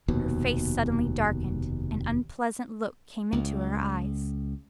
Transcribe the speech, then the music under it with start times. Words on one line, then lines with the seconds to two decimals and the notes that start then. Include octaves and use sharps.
Her face suddenly darkened, an unpleasant look came into her eyes.
0.08 F1 D#2 B2
3.32 C#2